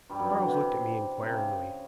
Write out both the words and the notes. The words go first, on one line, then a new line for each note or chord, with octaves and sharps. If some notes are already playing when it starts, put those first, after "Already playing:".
Quarles looked at me inquiringly.
G2 G3
F#2 F#3
E3
D3
C3
C3
C#3